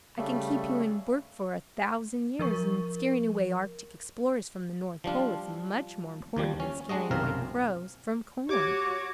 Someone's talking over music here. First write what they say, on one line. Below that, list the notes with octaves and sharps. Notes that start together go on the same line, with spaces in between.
I can keep you in work for a thousand years, and scaring away Arctic Explorers from the North Pole is much more important than scaring away crows from corn.
C#3 G3 A3
F3 A#4 C#6
F3 G3 D4 F4
D#2 F3 G3
C#4
G3 G#3 D4 F#4 D#5
B1 F#2 C3 C4 A#4 F5
F#4 G4 C#5 D6 G#6